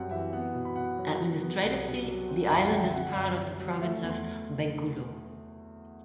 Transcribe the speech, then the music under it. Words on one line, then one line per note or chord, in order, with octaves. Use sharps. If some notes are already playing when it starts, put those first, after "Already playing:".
Administratively, the island is part of the province of Bengkulu.
Already playing: F#2 G3 C4 F#5
E3 E5
B3 F#5
B2
B5
B2 F#5
F#3
F#3
B3
C2 F#5
B2
F#3
C4
F#2 E5
F#5
D3 G5
E5
C4 F#5
F#2
F#2
F#3
A3 E5
E2
C6